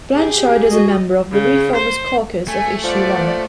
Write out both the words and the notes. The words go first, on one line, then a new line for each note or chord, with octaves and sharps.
Blanchard is a member of the ReFormers Caucus of Issue One.
G4 G#4
F#4 D#5
C#3
C5
A3 G#5
F3 D5 F#5